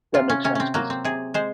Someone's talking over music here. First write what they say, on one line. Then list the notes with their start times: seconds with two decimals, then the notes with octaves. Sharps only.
That makes sense 'cause
0.14 C3 F4
0.30 C#4
0.44 C3 C#4
0.55 C4 C#4
0.74 F#3 A#3
0.90 C4
1.05 C3 G#4
1.34 G#3 C5